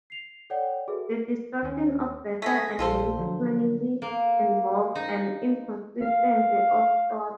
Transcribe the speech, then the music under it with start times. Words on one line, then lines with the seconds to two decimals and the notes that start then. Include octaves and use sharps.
The destruction of the hair and nails plainly involves an inconsistency of thought.
0.10 C7 F7
0.50 A4 C#5 D5 F#5 G5
0.87 F#4 G#4 A4 B4 E5
1.62 D#2 C#4
2.42 A3 G#4 A#6 B6
2.79 A#1 F4 A4 C5
3.17 D3 F3 F#3
4.02 A#3
4.95 D#4
6.01 F5